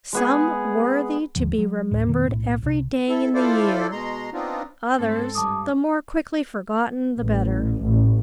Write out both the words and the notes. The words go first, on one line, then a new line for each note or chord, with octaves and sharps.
Some worthy to be remembered every day in the year, others the more quickly forgotten the better.
G#3 B3 G#4
G#1 D#2 D3 F3
F#3
A1 D2 A2
F2 B2 D#3 A#3
B1 A2
C2 C3
E4 A4
E4 F4 A4 C5 D5
B2 G#3 A#5 C6
B3 C4 D4 D#4 F4
G#2 C4 A4
G2 A5 D6 D#6
A1
A1